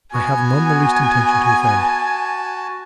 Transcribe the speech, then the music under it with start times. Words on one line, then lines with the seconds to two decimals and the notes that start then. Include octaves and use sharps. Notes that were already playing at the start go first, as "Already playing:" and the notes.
I have none the least intention to offend.
0.13 B3 F#4 G#5
1.78 F#4 A5